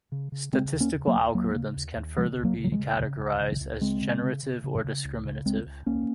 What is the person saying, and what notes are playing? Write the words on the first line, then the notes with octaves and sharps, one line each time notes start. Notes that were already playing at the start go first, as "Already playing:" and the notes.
Statistical algorithms can further be categorized as generative or discriminative.
C#3
C#3
C#3 G#3 C4
D#2
A#3 C#4
C#3
F#3 A#3
D#2
D#2 F#3 A#3
C#3
D#2
D#2
C#3 F3 G#3
C#2
F#3 A#3
C#3
F#3
F3 G#3
C#3
C#3
C#2
C#3
C#2
C#3 G#3 C4
C#3
C#3
C#3
C#3
C#3
C#2
C#3
C#2 G#3 C4
C#2
C#2 A#3 C#4